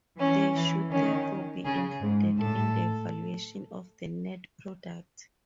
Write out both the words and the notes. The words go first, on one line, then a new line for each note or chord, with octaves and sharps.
They should therefore be included in the valuation of the net product.
E3 C#4
E3
D#3 C#4
C#3 G#4
G#2
A2 A4